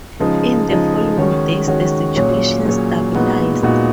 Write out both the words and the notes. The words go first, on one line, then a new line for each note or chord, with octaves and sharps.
In the following days the situation stabilized.
C#3 F3 G#3 D#4
C#3 F3 G#3 D#4
D#3 G#3 C#4 F#4 C#5
D#3 G#3 C#4 F#4 C#5
A#2 F#3 C#4 G#4 C#5
A#2 F#3 C#4 G#4 C#5
A#2 G#3 B3 D#4 F#4
A#2 G#3 B3 D#4 F#4